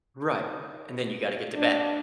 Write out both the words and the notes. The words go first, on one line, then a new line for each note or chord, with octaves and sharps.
Right, and then you gotta get to bed.
D4